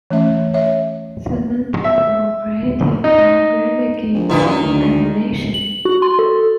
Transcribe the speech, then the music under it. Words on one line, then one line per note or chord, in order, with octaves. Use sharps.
The main title were created by Renegade Animation.
E3 A3 C#4 E5
C#5 E5
E5
D#4
A#1
G2 D#3 E4
F#2 D#3
D2
F#7
F#4
C6
A4